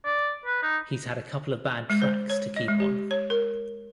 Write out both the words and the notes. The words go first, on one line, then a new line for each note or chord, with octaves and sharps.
He's had a couple of bad tracks to keep on.
D5
B4
D#4
G#3
C5
C#5
D#5
G#3
G4
C#5
A#4